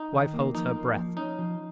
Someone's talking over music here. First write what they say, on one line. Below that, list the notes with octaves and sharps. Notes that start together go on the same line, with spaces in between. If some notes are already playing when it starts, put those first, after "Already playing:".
Wife holds her breath.
Already playing: D#4
D#3
A#3
F3 D#4
A#3
F3
C#4 D#4
F3